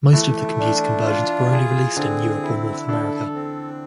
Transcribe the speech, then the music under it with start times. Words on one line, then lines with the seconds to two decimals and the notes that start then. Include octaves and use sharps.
Most of the computer conversions were only released in Europe or North America.
0.13 E3 A3 E4
0.59 D4
1.05 F4
1.51 G#4
1.96 D3 C4 D4
2.43 E4
2.88 D3 D4 A4
3.34 C4